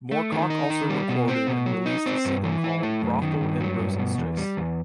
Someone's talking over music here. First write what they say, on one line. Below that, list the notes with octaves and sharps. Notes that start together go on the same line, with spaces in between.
Moorcock also recorded and released a single called "Brothel in Rosenstrasse".
A3
D#3
D#4
D#3
G3
B2
C4
B2
F#3
D#4
C4
G2
E3
E4
A3
F#2
D#3
G2
F#3
G2
B2
E2
G3
E2